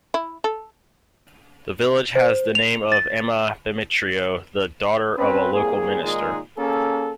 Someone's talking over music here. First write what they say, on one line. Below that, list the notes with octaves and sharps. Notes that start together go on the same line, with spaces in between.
The village has the name of Emma Bemetrio, the daughter of a local minister.
E4
A4
C5
F7
A6
C4 C#4 B4
C2 A#3 G#4
A#2 D#3 G#3 D#4 G#4
A#3 C#4 G#4 A4